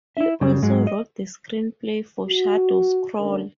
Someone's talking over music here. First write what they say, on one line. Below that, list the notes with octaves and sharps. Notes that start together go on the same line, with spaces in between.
He also wrote the screenplay for "Shadows Crawl".
E4 E5
F#2 C#3 G3
G#2 F#3 G#3
D#5
F#4
D3 A3 C#4 D4 A#4